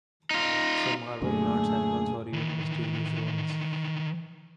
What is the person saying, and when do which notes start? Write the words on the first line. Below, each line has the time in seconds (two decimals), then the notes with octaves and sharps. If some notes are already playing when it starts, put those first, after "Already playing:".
Some harbour plants and animals, or even mysterious ruins.
0.31 D#4 F4
1.22 F#2 A#2 D3 A3 G#4
2.33 D#3 E3